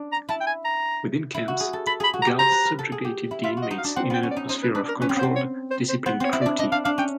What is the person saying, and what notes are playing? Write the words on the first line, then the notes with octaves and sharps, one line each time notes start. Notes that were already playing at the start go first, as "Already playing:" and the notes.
Within camps, guards subjugated the inmates in an atmosphere of controlled, disciplined cruelty.
Already playing: D4
A#5
E4 A5
G5
G#5
A#5
E4
F#4
G#4
A4
A4 B5
G#4 B5
F#4
A#5
G4
C5 A#5
B4
A#4
A4
G#4
G4
E4
F4 E5
F#4
D#5
D#4
F5
D4
C4 F#5
B3 G5
C#4
D5
D#4
D#4 C5
B4
D4 B4
A#4
C#4 B4
C4
B3 C5
C4
C#5
C5
C5
B3 C5
C4 C#5
E4
D5
D4
D4 D#5
D4 F5
D4 F5
C#4 G5